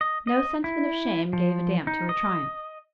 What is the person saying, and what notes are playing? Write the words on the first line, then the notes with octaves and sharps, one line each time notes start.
No sentiment of shame gave a damp to her triumph.
D#5
D#5
E4
F3
D#4
D#5